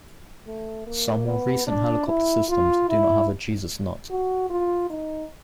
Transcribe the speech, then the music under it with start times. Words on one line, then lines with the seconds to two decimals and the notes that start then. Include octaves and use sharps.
Some more recent helicopter systems do not have a Jesus nut.
0.47 A3
0.86 A#3
1.27 B3
1.67 D4
2.07 E4
2.49 F4
2.89 E4
4.10 F#4
4.50 F4
4.90 D#4